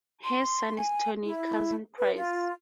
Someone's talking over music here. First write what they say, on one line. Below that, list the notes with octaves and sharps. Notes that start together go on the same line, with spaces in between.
Her son is Tony Curzon Price.
C6
G#5
E4
B4
F4